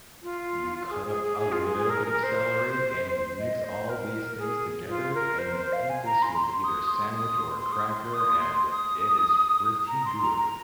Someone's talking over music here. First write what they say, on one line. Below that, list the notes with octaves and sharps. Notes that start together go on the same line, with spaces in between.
You cut up a little bit of celery, and you mix all these things together, and you ge eat this with either a sandwich or a cracker, and it is pretty good.
F4
G#4
G#4
G#4
G#4
F4
G#4
G#4
A#4
A#4
C5
D#5
C5
A#4
G#4
F4
A#4
C5
C5
F5
G#5
A#5
C6
C6
D#6
C6
D#6
C6
C6
D#6
C6
D#6
C6
D#6
A#5
C6
A#5
A#5